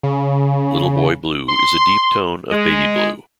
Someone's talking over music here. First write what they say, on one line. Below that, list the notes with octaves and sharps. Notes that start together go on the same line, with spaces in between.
Little boy blue is a deep tone of baby blue.
C#3
C6
G#3